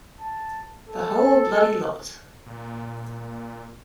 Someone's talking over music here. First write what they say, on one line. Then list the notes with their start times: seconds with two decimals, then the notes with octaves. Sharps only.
The whole bloody lot.
0.20 A5
0.89 A4
2.46 A#2